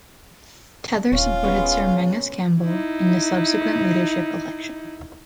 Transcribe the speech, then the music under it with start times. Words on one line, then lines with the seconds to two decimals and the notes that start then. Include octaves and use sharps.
Teather supported Sir Menzies Campbell in the subsequent leadership election.
1.12 D#1 C#4 F4
1.44 G#3 B3 C#4
2.62 D#4 E4